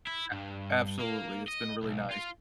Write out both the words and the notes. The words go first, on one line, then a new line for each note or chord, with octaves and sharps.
A absolutely, it's been really nice.
E4
G2
A#3
D#5
B1
F4